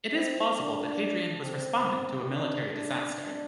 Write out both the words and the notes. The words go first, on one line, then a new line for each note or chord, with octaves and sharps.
It is plausible that Hadrian was responding to a military disaster.
C4
D4
C4
D4
D4
D4